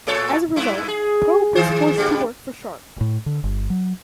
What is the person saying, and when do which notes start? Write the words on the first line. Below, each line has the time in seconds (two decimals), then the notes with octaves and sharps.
As a result, Probe was forced to work for Sharpe.
0.07 A2 A4 C#5
0.56 G2 E4
0.88 G#4
1.55 D#3 G#4 C5
1.97 A2 D3 G3
3.01 A2
3.26 D3
3.44 G1
3.70 F#3